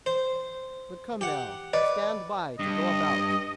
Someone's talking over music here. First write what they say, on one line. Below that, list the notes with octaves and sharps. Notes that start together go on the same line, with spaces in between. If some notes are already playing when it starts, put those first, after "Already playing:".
But come now, stand by to go about.
C5
G4 F#5
B4 D5 D#5
G2 D#5